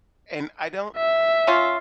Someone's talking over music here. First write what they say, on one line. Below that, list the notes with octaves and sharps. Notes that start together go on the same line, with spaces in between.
and I don't
E5
C#4 F4